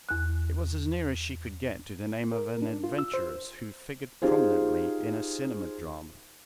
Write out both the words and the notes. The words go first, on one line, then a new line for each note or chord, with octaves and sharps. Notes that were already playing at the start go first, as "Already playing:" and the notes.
It was as near as she could get to the name of an adventuress who figured prominently in a cinema drama.
E2 F#6
A#4
D4
F4
E6
C5
D#4 F4 G4 G#4 C5